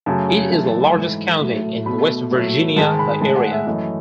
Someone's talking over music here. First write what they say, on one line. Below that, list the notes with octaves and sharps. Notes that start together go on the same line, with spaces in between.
It is the largest county in West Virginia by area.
F#2 C#3 F#3 A3 A5
G#5
F#2 E3 A3 A5
A5
B5
G#2 E3 A3
A2 F#3 A3
B2 A3 B5
A2 F#3 A3
G#2 D#3 G#3 A5
B5
A2 G#3 A5
F#5
F#5
E5
F#2 E3 A3 D#5